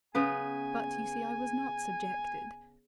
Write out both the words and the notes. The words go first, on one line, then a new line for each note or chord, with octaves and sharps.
But you see I was not subjected.
C#3 B3 B4 G#5